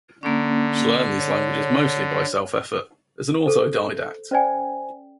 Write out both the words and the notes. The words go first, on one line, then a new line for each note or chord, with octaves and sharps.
She learned these languages mostly by self-effort, as an autodidact.
D3 A#3 C#4
C#5
G#4 A4 C5
C#4 C5 D5 G5 G#5